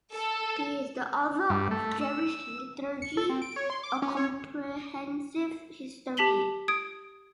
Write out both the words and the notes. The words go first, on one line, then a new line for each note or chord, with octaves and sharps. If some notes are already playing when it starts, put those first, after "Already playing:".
He is the author of "Jewish Liturgy: A Comprehensive History".
A4
G2
A3
E6
C#7
A4
C4
D7
C#5
C6
D6
C#4
C#5
G4 A5 B6 F#7 G7
D#6 G#6 D7